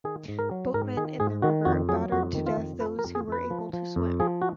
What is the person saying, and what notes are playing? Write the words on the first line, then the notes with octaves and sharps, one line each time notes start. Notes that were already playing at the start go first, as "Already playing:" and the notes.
Boatmen in the river battered to death those who were able to swim.
D#3 G#4
G#2
A#4
F#3
G#2 A#4
D#3 G#4
G#2 G#4
D#3 F#4
F2 F#4
F#3 G#4
F2 F#4
D#3
F4
F2
F3 B4
A#4
F2
G#4
F2 B4
F3
F3
F2
F3 G#4
F#4